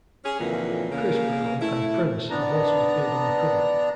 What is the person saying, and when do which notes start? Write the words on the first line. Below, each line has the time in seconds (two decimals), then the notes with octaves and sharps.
Chris Brown and Prince have also appeared on the cover.
0.25 C#4 G#4
0.39 F2 A#2 D3 E3 F#3 A#3
0.91 C#3 A#3
1.61 A3 E4
2.30 B3 D4 A#5